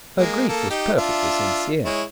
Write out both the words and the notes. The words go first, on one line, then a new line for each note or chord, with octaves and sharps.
Her grief was perfectly sincere.
G#3 A#3
A#3 A4
D#4 G4
D4 F4 E5
G#3 E4 C#5